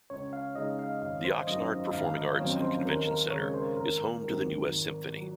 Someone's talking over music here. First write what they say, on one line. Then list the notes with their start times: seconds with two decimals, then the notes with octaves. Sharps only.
The Oxnard Performing Arts and Convention Center is home to the New West Symphony.
0.10 C#2 C#5
0.33 F5
0.56 C#3 G#3 D#4 D#5
0.79 F5
1.02 G#1 F5
1.24 C5
1.47 F#2 D#3 D#5
1.93 G#1 F5
2.17 D#5
2.39 F#2 F3 C4 C#5
2.62 C5
2.85 D#2 A#4
3.07 A#4
3.31 C#3 G#3 C#5
3.54 C5
3.76 G#1 A#4
4.23 G#2 D#3 F#3 C4
4.68 G#1
5.17 F#3